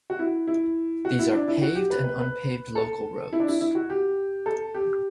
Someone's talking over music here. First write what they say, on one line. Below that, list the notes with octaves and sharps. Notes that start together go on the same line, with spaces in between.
These are paved and unpaved local roads.
F#4
E4
E4
F#4
E4
D4
E4
F#4
G4
B4
B4
B4
A4
E4
D4
E4
E4
F#4
G4
A4
G4